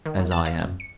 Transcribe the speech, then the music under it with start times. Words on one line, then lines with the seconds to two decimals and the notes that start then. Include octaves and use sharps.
"As I am."
0.06 D#3
0.19 F#2
0.31 A5
0.46 F5
0.62 F#2
0.80 C#7